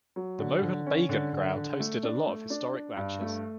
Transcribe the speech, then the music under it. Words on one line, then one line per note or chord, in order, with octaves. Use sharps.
The Mohun Bagan Ground hosted a lot of historic matches.
F#3
D3
D3
C#4
D3
D3
D3
A3
D4
A3
D4
D4
G2
A3